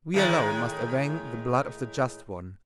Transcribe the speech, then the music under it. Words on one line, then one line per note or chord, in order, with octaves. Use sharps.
We alone must avenge the blood of the just one....
A2 D#3 G#3